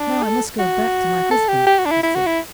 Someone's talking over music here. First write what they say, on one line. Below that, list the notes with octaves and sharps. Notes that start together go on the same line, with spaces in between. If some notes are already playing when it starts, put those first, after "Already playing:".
"Now I must go back to my husband," she said.
Already playing: D4
A4
F#4
A4
G4
G4
F#4
D4
E4
E4
F#4
E4